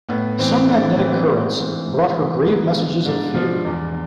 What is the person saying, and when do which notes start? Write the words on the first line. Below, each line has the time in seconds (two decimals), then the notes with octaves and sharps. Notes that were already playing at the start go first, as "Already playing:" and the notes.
Some magnetic current brought her grave messages of fear.
0.09 A2 B3
0.39 E3 C4
0.68 A2 D4
0.83 E4
0.98 E3 C4
1.12 B3
1.28 G#2 C4
1.57 E3
1.86 G#2
2.17 E3
2.46 G#2 B3
2.76 F3 D4
3.06 G#2 D4
3.35 F3
3.65 E2